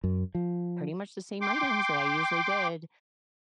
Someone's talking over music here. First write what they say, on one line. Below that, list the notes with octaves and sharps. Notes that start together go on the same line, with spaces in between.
pretty much the same items that I usually did,
F#2
F3
G5 C6 D6